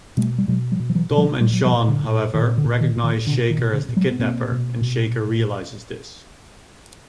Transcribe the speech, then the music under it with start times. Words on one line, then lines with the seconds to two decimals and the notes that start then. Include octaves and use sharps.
Tom and Sean, however, recognize Shaker as the kidnapper, and Shaker realizes this.
0.17 B2 G3 A3
0.38 G3
0.48 B2 F#3 G#3
0.72 F3 G3
0.80 B2
0.90 F3
0.95 E3 F#3
1.10 B2
1.18 F3 G3
1.41 A#2 G3
1.53 F#3
1.65 F3 G3
1.72 A#2
1.88 D3
2.04 A#2
2.34 A#2 D#3
2.58 D3
2.65 A#2
2.81 D#3
2.96 A#2
3.04 D#3
3.27 B2 D3
3.50 D#3
3.59 B2
3.73 D3
3.89 B2
3.96 F#3 G#3
4.11 B3
4.19 B2 A#3 C4
4.52 B2
4.81 B2